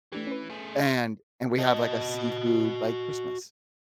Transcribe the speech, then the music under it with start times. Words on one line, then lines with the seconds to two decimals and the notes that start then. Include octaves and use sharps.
And and we have like a seafood, like, Christmas.
0.12 E3 A3 D4 G4
0.27 C#4 B4
0.50 A3 G#4
0.83 F4
1.59 F#4 D#5